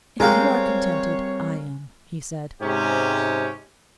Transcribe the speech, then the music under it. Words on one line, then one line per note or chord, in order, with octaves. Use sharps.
'If you are contented, I am,' he said.
G3 G#3 C4 A#4 C5 C#5 F5 G5
G#2 C3 G#3 C#4 G4